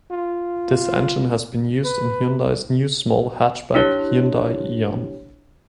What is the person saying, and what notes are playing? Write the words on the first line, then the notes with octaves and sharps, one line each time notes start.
This engine has been used in Hyundai's new small hatchback Hyundai Eon.
F4
B4
D4 E4 G4 C#5